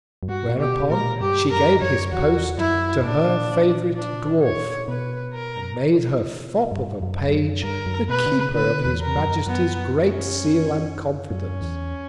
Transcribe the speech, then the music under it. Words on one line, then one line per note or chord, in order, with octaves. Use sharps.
Whereupon she gave his Post to her favourite Dwarf, and made her Fop of a Page the Keeper of his Majesty's great Seal, and Confidence.
F#2
G2 F#4
A#2
B2 G4
A#2 A#4
G2 G4
F#2 A#4
F#2 C#5
E2 F#4
F#2 E4
A#2 D4
D4
C#5
B2 B4
A#4
G2
F#2
G2
F#2
G2 A#4
F#2
B2 B4
D3
C#3
D3 B4
E2
A#4
F#2
F#2 B3
C#4
F#2 C#4
E2